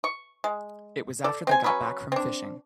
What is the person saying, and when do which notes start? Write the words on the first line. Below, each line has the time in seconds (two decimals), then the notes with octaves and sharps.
It was after they got back from fishing.
0.04 C#6
0.44 G#3
1.24 A4 D5
1.47 C4 G5 G#5
1.64 F#3 C#4 B4 B5
2.12 C4 D4